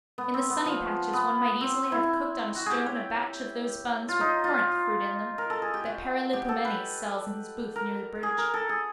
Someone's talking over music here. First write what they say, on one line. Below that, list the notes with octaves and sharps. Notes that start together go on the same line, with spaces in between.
In the sunny patches one might easily have cooked on a stone a batch of those buns with Corinth fruit in them that Periplipomenes sells in his booth near the bridge.
B3
C4
B3
F3
B3
C4
E4
F#4
G4 G#4
C#5
F4
D#4
F4
A#4
A4
G#4
G4
F#4
G4
A4
B4
A#4
G#4
A#4
A4
G#4